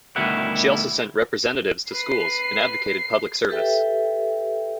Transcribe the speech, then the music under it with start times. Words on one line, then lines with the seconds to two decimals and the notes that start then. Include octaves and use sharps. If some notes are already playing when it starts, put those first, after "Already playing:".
She also sent representatives to schools and advocated public service.
0.16 D2 B2 D#3 G3 E4 F#5
1.92 B4 C7
3.49 G4 A4 B4 E5 G5